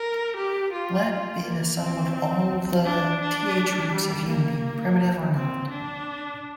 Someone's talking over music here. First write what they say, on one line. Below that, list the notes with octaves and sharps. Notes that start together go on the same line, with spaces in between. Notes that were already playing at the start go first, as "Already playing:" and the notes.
Let be the sum of all the th roots of unity, primitive or not.
Already playing: A#4
G4
F4
A#3
C4
D4
D4
G3
A#3
C4
D4